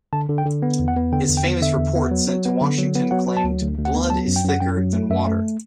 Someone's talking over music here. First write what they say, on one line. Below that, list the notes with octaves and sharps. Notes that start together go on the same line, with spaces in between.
His famous report sent to Washington claimed "Blood is thicker than water".
D3 A5
D3
G5
D3
B3
E2
F#5
B3
D3 G5
E2
G5
B3
D3 E5
E2
B3
F#3
F#3
B3
D3
F#3
B3
F#3 F#5
F#3
A5
D2
D2
D2
F#5
B3
F#3 A5
F#2
G5
F#2
F#5
F#2 G5
F#3
A3
F#2 E5
A3